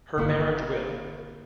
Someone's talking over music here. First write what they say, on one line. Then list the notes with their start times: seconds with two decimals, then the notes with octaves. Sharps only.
Her marriage with.
0.18 G1 D3 A#3 E4 F#4